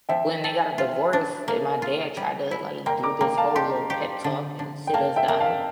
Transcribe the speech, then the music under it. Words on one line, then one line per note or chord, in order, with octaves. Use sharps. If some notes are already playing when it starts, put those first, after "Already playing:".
When they got a divorce and my dad tried to, like, do this whole little pep talk and sit us down, I'm
F3 E5 G5
A4
F4
D4
A#3
F4
G3
E4
A#3 G5 A#5
A#5 D6
A#3 G5 A#5
F5 A5
G4 A5 C6
G4
D3
D3
G5
A#3 F5 A5
E5 G5
A#3
F5 A5